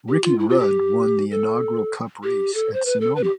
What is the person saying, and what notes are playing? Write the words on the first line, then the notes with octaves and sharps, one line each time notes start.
Ricky Rudd won the inaugural Cup race at Sonoma.
G4
F4
E4
F4
G4
A4
G4
A4
C5
B4
A4
B4
G4